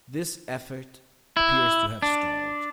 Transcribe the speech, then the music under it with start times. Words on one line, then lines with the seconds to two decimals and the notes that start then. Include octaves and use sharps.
This effort appears to have stalled.
1.37 E4
2.02 D4